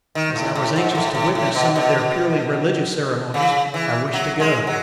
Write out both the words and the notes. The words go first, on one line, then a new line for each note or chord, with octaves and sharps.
As I was anxious to witness some of their purely religious ceremonies, I wished to go.
D#3
A2
A2
G#2
G#2
A2
A2
A2
B2
B2
C#3
E3
F#3
G#3
F#3